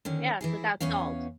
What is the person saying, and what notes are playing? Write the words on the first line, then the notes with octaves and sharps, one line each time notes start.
Yes, without salt.
D3 D#3 C#4
E3 E4 G#4
E2 B3 C#4 C#5 F5